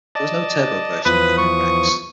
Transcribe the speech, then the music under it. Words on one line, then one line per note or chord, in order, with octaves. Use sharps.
There was no turbo version of the new Rex.
D5 D#5 A5
E2 F3 B4 D#6
C#6